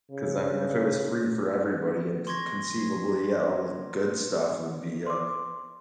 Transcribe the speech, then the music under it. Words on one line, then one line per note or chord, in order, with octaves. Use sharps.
'Cause, I mean, if it was free for everybody and conceivably, eh, all the good stuff would be, uh,
C#3
C6 C#6 G#6 A#6
C6 D6